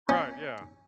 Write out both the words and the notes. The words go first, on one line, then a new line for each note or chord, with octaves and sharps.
Right, yeah.
C#4